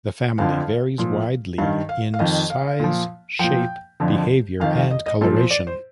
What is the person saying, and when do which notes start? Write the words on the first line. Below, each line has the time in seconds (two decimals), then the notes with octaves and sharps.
The family varies widely in size, shape, behavior and coloration.
0.38 F2 D3 F3 F5
0.98 A#2 F3
1.58 G2 D#3 F5
1.89 F5
2.14 F5
2.19 F2 D#3 D#5
2.50 F5
2.80 A#2 F3
3.39 A#2 F3 G5
4.00 F2 D3 F3
4.60 F2 D#3 F5
4.76 F5
4.91 D#5
5.06 D#5
5.21 A#2 F3 A4
5.36 C5
5.51 D5
5.67 C5